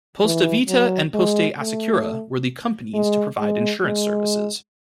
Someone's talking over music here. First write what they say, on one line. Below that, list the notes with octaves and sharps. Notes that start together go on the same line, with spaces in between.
Poste Vita and Poste Assicura were the companies to provide insurance services.
E3
F#3
G#3
A3
G#3
G#3
G#3